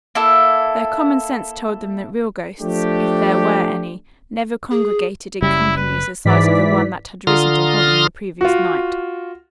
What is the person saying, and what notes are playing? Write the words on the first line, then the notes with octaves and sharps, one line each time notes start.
Their common sense told them that real ghosts, if there were any, never congregated in companies the size of the one that had risen to haunt them the previous night.
A#3 E4 A4
F3 A3 D4 G4
G#4
F#1 C#3 G3 E4
B4
G#2 E3 D5 B6
D3 F4 A#5 C6 D#6 F6
F4 F#4